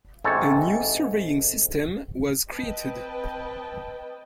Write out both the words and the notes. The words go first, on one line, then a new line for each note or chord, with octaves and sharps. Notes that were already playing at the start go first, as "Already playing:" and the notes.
A new surveying system was created.
A1 G#2 C3 A4 C#5 A5
C4 B4 D#5 G5 A5